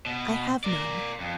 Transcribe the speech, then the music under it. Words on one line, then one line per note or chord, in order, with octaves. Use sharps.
"I have none."
B2
A#4 D5
F2